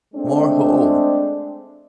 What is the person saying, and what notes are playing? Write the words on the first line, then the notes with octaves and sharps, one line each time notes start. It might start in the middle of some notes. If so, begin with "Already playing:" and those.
Mor ho!
G#3 A3 C4 D4